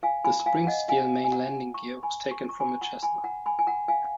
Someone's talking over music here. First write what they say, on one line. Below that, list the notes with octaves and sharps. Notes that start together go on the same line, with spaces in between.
The spring-steel main landing gear was taken from a Cessna.
F5 G#5
G#5 B5
A#5
F5 G#5
D#5 F#5
F5 G#5
G#5
F#5 A#5
A#5 C#6
G#5 B5
C#6
A#5 C#6
G#5 B5
F#5 A#5
G#5 B5
F#5 A#5
G#5 B5
G#5
F#5 A#5
F5 G#5